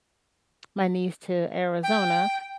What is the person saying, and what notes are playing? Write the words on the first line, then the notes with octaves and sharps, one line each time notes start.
my niece to Arizona,
G5